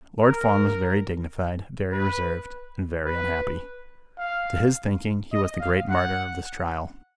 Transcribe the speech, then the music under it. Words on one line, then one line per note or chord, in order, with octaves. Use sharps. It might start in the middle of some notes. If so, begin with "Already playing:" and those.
Lord Fawn was very dignified, very reserved, and very unhappy. To his thinking he was the great martyr of this trial.
A#4
B4
B4
F5
D#5
F5
F#5